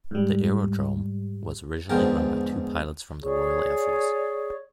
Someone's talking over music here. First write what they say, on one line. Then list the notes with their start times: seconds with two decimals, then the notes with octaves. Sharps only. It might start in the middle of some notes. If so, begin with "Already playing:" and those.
The aerodrome was originally run by two pilots from the Royal Air Force.
0.11 G#2 G3
1.90 E2 G#2 D3 F3 A#4 G5
3.23 G#4 C#5 D5 C#6